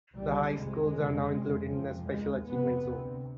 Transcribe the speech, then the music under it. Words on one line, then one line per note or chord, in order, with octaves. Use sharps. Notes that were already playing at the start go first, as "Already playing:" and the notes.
The high schools are now included in a special Achievement Zone.
C2 B2 G3
F2 C3 G#3
F2 C3
F2 C3
F2 C3 F3
D#2 G#3
F2 C3 B3
D2 C3